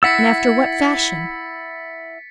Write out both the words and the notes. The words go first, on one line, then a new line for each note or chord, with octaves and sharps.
"And after what fashion?"
E4 F#5 E6 A6 B6 C#7